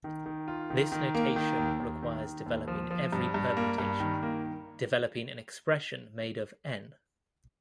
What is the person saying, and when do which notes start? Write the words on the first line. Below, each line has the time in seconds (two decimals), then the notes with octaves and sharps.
This notation requires developing every permutation, developing an expression made of "n"!
0.04 D#3
0.26 D#3
0.48 F4
0.70 D#3
0.92 D#3
1.15 A#3
1.36 D#3
1.58 D#2
1.80 D#2
2.03 D#3
2.25 D#3
2.46 D#2
2.68 F3
2.91 F3
3.13 G2
3.34 G2
3.57 A#3
3.78 G2
4.00 D#3
4.23 A#3